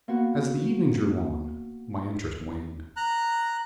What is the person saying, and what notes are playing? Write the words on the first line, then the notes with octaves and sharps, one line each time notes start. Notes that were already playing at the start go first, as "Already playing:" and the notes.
'As the evening drew on, my interest waned.
A#3 B3 F#4
A#5 F#6